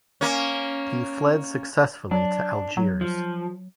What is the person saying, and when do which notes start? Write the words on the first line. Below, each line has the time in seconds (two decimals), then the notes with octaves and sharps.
He fled successfully to Algiers.
0.21 A#3 C#4
2.11 F#3 D4
2.77 F#3
3.01 F3